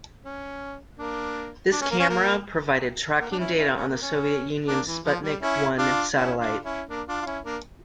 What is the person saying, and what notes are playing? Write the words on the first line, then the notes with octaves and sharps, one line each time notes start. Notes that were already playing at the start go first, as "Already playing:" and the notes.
This camera provided tracking data on the Soviet Union's Sputnik I satellite.
C#4
A#3 D4
D4
C#4
A#3
C#4
A#3
A#3
D4
C#4 E4
C#4 E4
C#4
A#3
C#4
A#3 D4
E3
F3
G3
C#4 E4
D4 F4
C#4 E4
D4 F4
C#4 E4
A#3 D4
D4 F4
F4
C#4 E4
A#3 D4